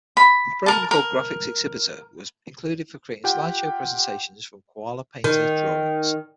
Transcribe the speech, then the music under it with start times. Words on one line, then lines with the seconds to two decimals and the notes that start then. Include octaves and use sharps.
A program called "Graphics Exhibitor" was included for creating slideshow presentations from KoalaPainter drawings.
0.17 B5
0.66 A#4 A5
0.91 A#4
3.24 F4 G4 F#5 G5
5.24 D#3